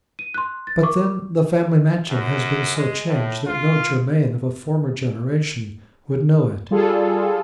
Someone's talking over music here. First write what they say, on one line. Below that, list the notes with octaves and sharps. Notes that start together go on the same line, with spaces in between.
But then the family mansion has been so changed that no Germain of a former generation would know it.
D#7
C6 F#6
A6
A#4 C#6 D6
F#2
G#3
A2
F4
G3 F4 G#4 A4